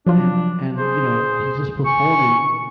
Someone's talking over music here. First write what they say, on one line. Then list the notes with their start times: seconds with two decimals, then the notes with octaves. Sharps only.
and and, you know, he's just performing,
0.07 F3 F#3 D4 F4
0.78 G#4 C5
1.86 G#5 C#6